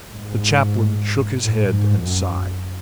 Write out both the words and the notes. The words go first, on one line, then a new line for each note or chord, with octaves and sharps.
The chaplain shook his head and sighed.
G#2
A2
G#2
F#2